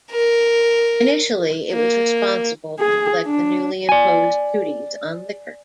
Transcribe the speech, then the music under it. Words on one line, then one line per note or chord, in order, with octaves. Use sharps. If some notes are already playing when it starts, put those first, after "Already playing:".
Initially it was responsible to collect the newly imposed duties on liquor.
A#4
A#3
G#4
D4
D5 G#5